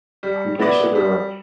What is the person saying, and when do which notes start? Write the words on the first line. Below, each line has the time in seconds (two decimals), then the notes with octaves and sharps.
I'm pretty sure there are
0.23 G3
0.59 B3 E4 B4 D5
0.95 G3